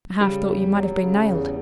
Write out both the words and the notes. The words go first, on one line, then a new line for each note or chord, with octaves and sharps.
I half thought you might have been nailed.
C#3 G3
E2
F#3
C#3
E2